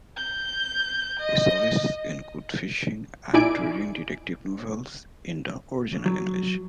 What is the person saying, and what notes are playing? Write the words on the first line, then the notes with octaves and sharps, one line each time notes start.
His hobbies include fishing, and reading detective novels in the original English.
G6
D#5
A#1 D#4 E4 D5 G#5 D7
F#3